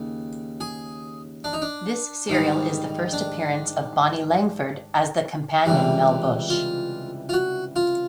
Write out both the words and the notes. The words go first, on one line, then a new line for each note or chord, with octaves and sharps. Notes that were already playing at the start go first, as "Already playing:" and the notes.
This serial is the first appearance of Bonnie Langford as the companion Mel Bush.
Already playing: D#2 C#3
G#4
D4
D#4
D4
G#2 D#3 G3
D4
C#2 C3 E3 G3
F4
F4
F#4
F4